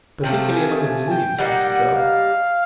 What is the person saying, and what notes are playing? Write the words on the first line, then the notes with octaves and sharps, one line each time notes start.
"Particularly among the Brazilians," answered Joam.
C3 F3 A3 G5
G#5
G#5
G5
G3 A#3 D#4 F#5
F#5
F5